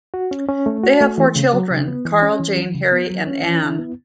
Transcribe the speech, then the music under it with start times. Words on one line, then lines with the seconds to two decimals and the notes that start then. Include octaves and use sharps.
They have four children: Carl, Jane, Harry, and Ann.
0.14 F#4
0.31 C#4
0.49 C#4
0.66 A3
0.83 F#4
1.01 A3
1.18 E3
1.36 C#3
1.53 F#3
1.71 C#3
1.88 B3
2.05 E3
2.22 C#4
2.40 E3
2.57 F#3
2.75 C#3
2.92 B3
3.10 F#3
3.27 C#4
3.44 E3
3.62 E4
3.79 B3